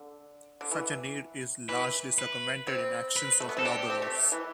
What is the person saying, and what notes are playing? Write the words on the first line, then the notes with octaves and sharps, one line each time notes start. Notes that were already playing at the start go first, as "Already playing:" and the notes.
Such a need is largely circumvented in actions of lawburrows.
Already playing: D3
D3
E3
E3 B4
B4
C4
B4
A3
B3
C4 A4
D4 G4
C4
A3
E3